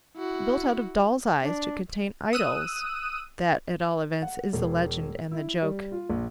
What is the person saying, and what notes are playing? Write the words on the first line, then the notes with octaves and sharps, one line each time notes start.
"Built out of doll's eyes to contain idols"--that, at all events, is the legend and the joke.
E4 F#4
D4
D#6 E6 F#6 D#7
F#5
E1
E4
G3
F4
A#1